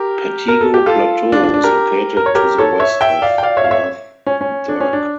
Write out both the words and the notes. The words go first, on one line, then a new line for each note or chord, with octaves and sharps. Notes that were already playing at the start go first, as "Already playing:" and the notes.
Pettigo Plateau is located to the west of Lough Derg.
Already playing: G4 A#4
A#4
A4
G4
F4 A4
D4 F4
D4
D4
G4 A#4
A#4
C#5
G4 A#4
A4 C#5
C#5 E5
E5 G5
D5 F5
G5
D5 F5
C#5 E5
F5
C#5 E5
C#4
C#4
D4
C#4
D4